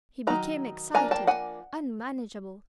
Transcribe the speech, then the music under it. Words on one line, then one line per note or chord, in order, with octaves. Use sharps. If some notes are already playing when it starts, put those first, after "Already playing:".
He became excited, unmanageable.
D#3 F#3 D#4 A#5
F3 A#3 D4 G#5 A#5
G5 A5
F#5 G#5